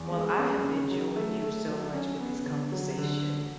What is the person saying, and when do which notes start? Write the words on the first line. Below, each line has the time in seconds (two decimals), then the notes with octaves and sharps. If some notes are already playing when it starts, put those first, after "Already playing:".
Well, I have enjoyed you so much with this conversation.
Already playing: E2
0.11 G#3
0.38 C#4
0.63 C#3
0.90 F#3
1.16 A3
1.42 A3
1.68 F#3
1.94 C#4
2.20 B3
2.46 D3
2.72 F#3
2.98 D3